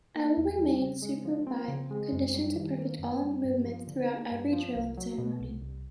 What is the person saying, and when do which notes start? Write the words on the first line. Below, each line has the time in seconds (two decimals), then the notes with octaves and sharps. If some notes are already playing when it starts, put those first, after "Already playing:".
I will remain superbly conditioned to perfect all movements throughout every drill and ceremony.
0.15 A#3
0.37 E2
0.58 G3
0.81 C#3
1.02 G#3
1.25 F3
1.47 C4
1.68 C#3
1.91 G#3
2.12 F#2
2.34 G3
2.55 D#3
2.78 A#3
2.99 F#2
3.21 G3
3.44 G2
3.65 F3
3.87 D3
4.09 A#3
4.31 G2
4.53 F3
4.75 C2
4.97 F#3
5.18 B2
5.40 C2
5.62 C2